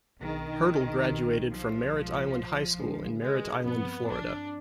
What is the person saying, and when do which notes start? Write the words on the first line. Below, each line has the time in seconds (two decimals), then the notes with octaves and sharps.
Hurdle graduated from Merritt Island High School in Merritt Island, Florida.
0.21 B1 B2 D#3 B3 D4 G#4
1.07 B1 B2 B3 D4 G4
1.50 F3
1.93 B1 B2 G#3
2.79 D3 G#3 D4 G#4 B4
3.21 G#3
3.65 G2 F3 B3 C4
4.08 D4